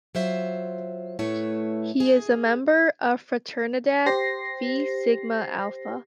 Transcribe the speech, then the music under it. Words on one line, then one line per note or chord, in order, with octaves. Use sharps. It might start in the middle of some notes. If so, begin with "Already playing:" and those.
He is a member of Fraternidad Fi Sigma Alfa.
F#3 F4 C5 E5
A2 A3 E4 B4 C#5
G#4
G4 C5 A#6 C7